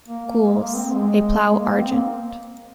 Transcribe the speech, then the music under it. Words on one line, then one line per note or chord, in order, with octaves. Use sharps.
Gules, a plough Argent.
A#3
A#3
G#3
A#3
C4
G#3
G#3
A#3
C4
A#3